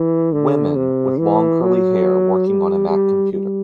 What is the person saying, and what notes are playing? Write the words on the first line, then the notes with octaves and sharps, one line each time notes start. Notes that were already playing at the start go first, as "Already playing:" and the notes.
Women with long curly hair working on a mac computer.
Already playing: E3
D3
C3
E3
F#3
G3
G3
G3